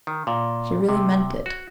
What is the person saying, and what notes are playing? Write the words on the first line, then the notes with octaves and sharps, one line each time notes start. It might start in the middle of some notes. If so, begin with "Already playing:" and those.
She really meant it.
D#3
A#2
C3
F#4